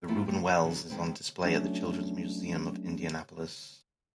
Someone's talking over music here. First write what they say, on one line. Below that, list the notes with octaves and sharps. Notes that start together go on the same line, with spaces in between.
The "Reuben Wells" is on display at the Children's Museum of Indianapolis.
G3 A3 A#3 E4 F4
A3 G4
D4 D5
B2 D3 E3 F#3
D#3 G#3 B3 C4
F#3 A3 C#4 D4